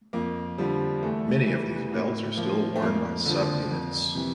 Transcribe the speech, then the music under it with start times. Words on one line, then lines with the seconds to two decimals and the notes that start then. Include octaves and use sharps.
Many of these belts are still worn by sub-units.
0.13 F2 A#3
0.58 D3 F3 G3
1.03 E2 A3
1.47 E3 G3
1.92 A2 A#3
2.37 F3 A#3
2.76 A3
2.81 F2 A#3
3.26 D3 F3
3.71 F2
4.15 C3 E3